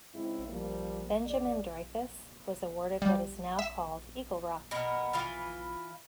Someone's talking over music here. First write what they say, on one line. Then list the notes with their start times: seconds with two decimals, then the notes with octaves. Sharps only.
Benjamin Dreyfus was awarded what is now called Eagle Rock.
0.15 G#2 C#3 C4 E4
0.48 F3 G3 A#3
1.26 E2 C#3 D5
3.02 G3
3.59 E5
4.71 B2 A#3 B3 A#4
5.13 E3 F4 B4 F5